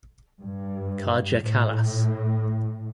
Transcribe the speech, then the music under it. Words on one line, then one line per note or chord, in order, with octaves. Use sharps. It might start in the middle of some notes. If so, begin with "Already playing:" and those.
Kaja Kallas.
G2
A2